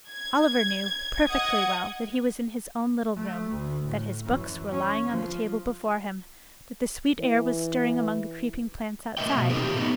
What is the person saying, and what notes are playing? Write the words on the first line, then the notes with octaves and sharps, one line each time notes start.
Oliver knew, perfectly well, that he was in his own little room; that his books were lying on the table before him; that the sweet air was stirring among the creeping plants outside.
G#6
D#5 F#5 D#6 G#6
A3
D2
A2
F#2 E3
C#4
F3
E3
A3 A#3 D#5 E5 G5
B2
C4 D#4 F4 F#4 G#4 A#4
A#2 G4
A3 B3 D#4